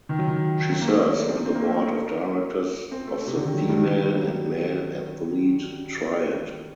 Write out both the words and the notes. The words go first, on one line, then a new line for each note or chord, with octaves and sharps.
She serves on the Board of Directors of the Female and Male Athlete Triad.
D#3
F#3
D#3
F#3
A#3
A3
A3
D4
C4
D4
C4
A#3
A3
C4
A3
C3
D3
D#3
F#3
G2
D#3
G3
F#3